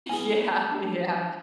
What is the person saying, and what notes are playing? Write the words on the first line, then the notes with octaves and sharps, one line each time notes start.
Yeah, yeah.
B3 E4 G#4 G#5
D4 G4 A5